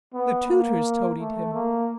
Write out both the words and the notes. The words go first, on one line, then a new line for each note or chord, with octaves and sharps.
The tutors toadied him.
B3
A#3
A3
A#3